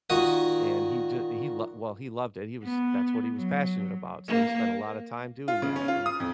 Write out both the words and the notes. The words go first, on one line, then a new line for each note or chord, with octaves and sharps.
and he ju he well, he loved it, he was that's what he was passionate about, so he spent a lotta time doing that, and
A#2 D#3 F#4 D#6
B3
F#3
A#3
F4
C#3
C#4
F4
D#6
F2